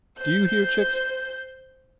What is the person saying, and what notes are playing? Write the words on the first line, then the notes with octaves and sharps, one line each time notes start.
Do you hear, chicks?
C5 G6